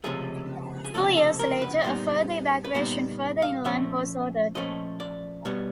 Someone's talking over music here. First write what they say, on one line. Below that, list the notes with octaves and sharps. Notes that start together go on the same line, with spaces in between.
Two years later a further evacuation further inland was ordered.
C#2 C3 F3 A3 G#4
G#4
C#2 C3 F3 A3 A4
A4
A#4
B4
A#2 G3 B3 D#4 C5
B4
A#2 G3 B3 D#4 C5
F5
A#2 F3 A3 C#4 E5
A#2 F3 A3 C#4 D#5
D5
B2 G3 B3 C#5